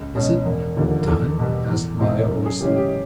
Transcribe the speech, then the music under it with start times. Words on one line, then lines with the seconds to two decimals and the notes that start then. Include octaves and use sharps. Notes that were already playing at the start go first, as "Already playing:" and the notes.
"Is it done?" asked Maya hoarsely.
Already playing: C#2
0.15 B2 G#3 C#4
0.45 E1
0.76 D#2 D3 F3 A#3
1.06 E2 A4
1.38 B2 G3 B3
1.69 E2
1.98 B2 G#3 C4 E4
2.22 A#4
2.30 F#2 A4
2.46 G#4
2.60 C#3 E3 G#3 C#4 G4
2.76 G4